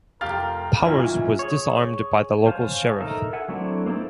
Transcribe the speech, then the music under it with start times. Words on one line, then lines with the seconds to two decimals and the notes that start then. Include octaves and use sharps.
Powers was disarmed by the local sheriff.
0.21 F1 F4 G4 A#4 F5 G5 F6 A6
0.82 B1 D#3 E4 F4 E5 G#5
1.39 G#4 C#5
2.46 C5 C#5 F5 G#5 A5
3.00 D#4 A4 A#4 E5
3.33 A4 E5 F#5 G#5
3.48 F#3 A3 C4 D4 E4
3.86 A#3 C4 D#4 E4 A4